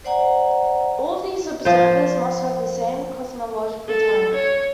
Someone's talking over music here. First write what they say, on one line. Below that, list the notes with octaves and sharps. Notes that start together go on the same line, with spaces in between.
All of these observers must have the same cosmological time.
C5 D5 F#5 G#5 A#5
F3 C5
A4
C#5